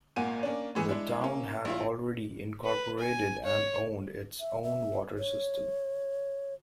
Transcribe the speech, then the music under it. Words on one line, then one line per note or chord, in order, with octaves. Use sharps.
The town had already incorporated and owned its own water system.
G#1 A#2 A#3 F#5 G#5 D#7
A#3 C#4 D4
A2 E3 G#3 G#4 C#7
G#3 D4 E4
A#3 C#4
A#1 E4 F4
B4
G#5
C#5
E5
E5
C#5